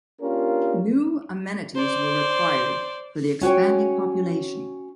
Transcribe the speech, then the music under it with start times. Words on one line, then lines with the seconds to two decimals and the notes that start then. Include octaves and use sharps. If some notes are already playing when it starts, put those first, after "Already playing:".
New amenities were required for the expanding population.
0.21 A#3 C#4 D4 F4 G4 A#4
1.75 C5 D5
3.41 C#4 F#4 C#5 G5